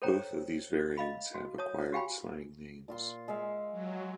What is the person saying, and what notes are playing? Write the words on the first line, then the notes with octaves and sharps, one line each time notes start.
Both of these variants have acquired slang names.
A4 C5 C#5 G5 A#5
D#5 F5 B5
F#4
C#5 A5 D#6
F#4 G4 F5 G5 G#5 B5
A#2 F4 C6
G#3 E5 F5
F#3